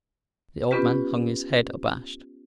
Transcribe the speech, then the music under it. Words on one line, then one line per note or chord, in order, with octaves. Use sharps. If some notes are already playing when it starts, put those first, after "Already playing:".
The old man hung his head, abashed.
B3 C#4 F4 G4 B4